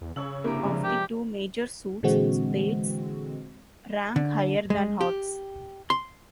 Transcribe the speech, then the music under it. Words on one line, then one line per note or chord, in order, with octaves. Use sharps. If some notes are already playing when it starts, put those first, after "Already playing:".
Of the two major suits, spades rank higher than hearts.
E2
C#3 C#5 E6 F#7
G2 C3 A#3 E4 G4
F3 G3 G#3
G4
A#2 D3 E3 G#3 C4 F#4
D3
G#3
G4
C6